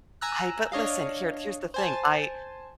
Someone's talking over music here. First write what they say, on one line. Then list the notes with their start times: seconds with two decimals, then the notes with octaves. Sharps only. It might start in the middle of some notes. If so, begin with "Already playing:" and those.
I but listen, here here's the thing. I
0.21 G#5 A#5 E6 F#6
0.72 D4 C#5 D#5 F5
1.74 C5 G#5 A5